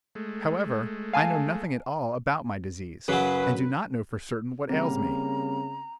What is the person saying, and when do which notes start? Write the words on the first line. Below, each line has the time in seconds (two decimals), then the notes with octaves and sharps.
However, I know nothing at all about my disease, and do not know for certain what ails me.
0.15 G#3 A3
1.13 F5 G#5 A5
3.08 F#2 C#3 F#3 B4
4.69 C#3 G3 A#3 C4 A#5